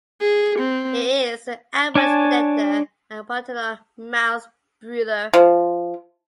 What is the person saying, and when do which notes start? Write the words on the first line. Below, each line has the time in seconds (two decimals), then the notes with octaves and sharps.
It is an ambush predator and paternal mouthbrooder.
0.21 G#4
0.59 C4
1.95 D4 C#5 G#5 A5
5.34 F3